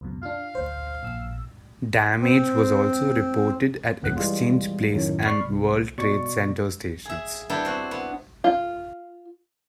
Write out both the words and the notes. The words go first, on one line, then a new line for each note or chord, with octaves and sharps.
Damage was also reported at Exchange Place and World Trade Center stations.
C#2 F#2 B2
D4 F4 F5
D2 C5
A#1 E6
C4
G1 C#2 F#2 E3 B3 F#6
E3 G3 G#3 F4
F#2 A2 D#3
D5 B5 C#6 F6 C7
C2
B2 D5 C#6 C#7
G#4 E5
G3 B3 D4 E4 G4
C4 F#4
B3
F4